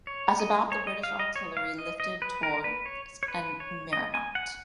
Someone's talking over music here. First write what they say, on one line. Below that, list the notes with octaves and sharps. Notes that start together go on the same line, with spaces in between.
At about the British artillery lifted towards and Miraumont.
C#5
D#5
C#5
D#5
F5
D#5
C#5
F5
D#5
D#5
B4
A#4
B4
C#5
C#5
B4
C#5
D#5
G#5
F#5